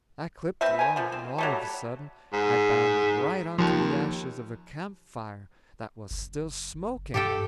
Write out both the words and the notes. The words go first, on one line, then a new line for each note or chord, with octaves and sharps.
I clipped along, and all of a sudden I bounded right on to the ashes of a camp fire that was still smoking.
C4 B4 E5
A#4 G#5
D3 F3
C4
F#3 G3 A3
G#2
D#2 F3
F#1
G2 G4 A4 G5